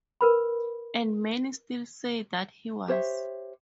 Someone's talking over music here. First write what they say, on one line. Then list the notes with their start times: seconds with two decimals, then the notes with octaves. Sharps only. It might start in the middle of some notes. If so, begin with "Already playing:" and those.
And many still say that he was.
0.21 A#4 B4 B5
2.88 G4 C5 C#5 E5